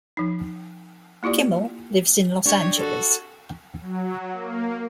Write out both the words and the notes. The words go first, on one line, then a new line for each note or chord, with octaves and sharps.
Kimmel lives in Los Angeles.
F3 D#4
A#3 E4 F4 G4 D5
D4 G4 C#5 D#5
F#4 A4
F#3
A#3